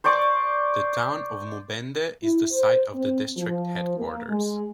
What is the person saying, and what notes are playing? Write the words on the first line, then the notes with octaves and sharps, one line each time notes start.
The town of Mubende is the site of the district headquarters.
C5 D5 C#6 D6
E4
C5
C4
F3
A#3
G#3